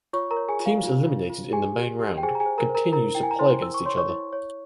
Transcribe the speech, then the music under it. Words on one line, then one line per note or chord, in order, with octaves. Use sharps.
Teams eliminated in the Main round continues to play against each other.
F4 C#5 C#6
A#4 A#5
C#5
G#4 G#5
F4
F5
F4
F4
F4
G4 G#4 G#5
G4
G4
G5
G#4 C5 G#5
A#5
G#4 G#5
C5
A#4 A#5
C5
A#4 A#5
E4 A#4 A#5
E4 G5
G#5
A#5
E4 C5 C6
E4 E6
C#6
C#5 C6
C#5 C#6
E4
C#5